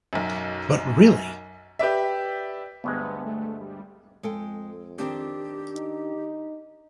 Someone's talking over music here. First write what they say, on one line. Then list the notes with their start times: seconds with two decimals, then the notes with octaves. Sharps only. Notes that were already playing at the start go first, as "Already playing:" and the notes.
But really?
0.13 B1 F#2
1.79 G4 B4 D5 E5
2.84 D2 G2 G#3 B3
3.26 A3
3.61 G3
4.23 F2 G#3 A4 G5
4.98 D#3 C4 D4 G4
5.76 D#4